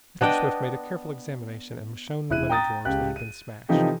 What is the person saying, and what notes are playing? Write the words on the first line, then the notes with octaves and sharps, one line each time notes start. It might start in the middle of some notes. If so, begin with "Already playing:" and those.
Mr. Swift made a careful examination, and was shown the money drawers that had been smashed.
B3 D4 D#5 G5
E1 E4 F#6 D#7
G5 A#5 D#6 A6
C#2 G4 F#6
D#7
C3 E3 F3 D#4 G4 A4